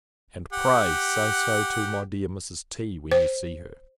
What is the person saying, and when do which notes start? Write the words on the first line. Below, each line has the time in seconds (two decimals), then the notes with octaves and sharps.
And, pray, say so to my dear Mrs. T. when you see her.
0.53 G4 F#5
3.12 C5